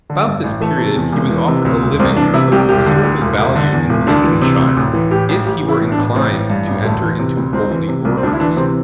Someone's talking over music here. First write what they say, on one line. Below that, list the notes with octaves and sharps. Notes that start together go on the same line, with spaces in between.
About this period he was offered a living of considerable value in Lincolnshire, if he were inclined to enter into holy orders.
D3
G2
A1
E3 A3
C3
E2
E1
E3
C3
D2
E1
C2 C4
E3 D4
C3 E4
C2 G4
E1 G4
D3
D2
E1
E1
D3
E2
E1
D2 D4
E3
C3
D2
A1
E3
A2 G4
A1
A1 G4
E3
E4
A2
D4
A1
A1 C4
E3
G2
A1
D2 A3
E3
C3
D2
C2 C4
E3
C3
C2
C4
D2 D4
E4
E3 D4
C3 C4